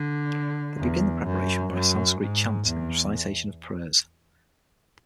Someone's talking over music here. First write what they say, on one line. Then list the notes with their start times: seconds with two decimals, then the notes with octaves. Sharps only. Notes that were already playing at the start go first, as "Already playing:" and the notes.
They begin the preparation by Sanskrit chants and recitation of prayers.
Already playing: D3
0.78 E2
1.25 F#2
1.72 F#2
2.20 G#2
2.66 E2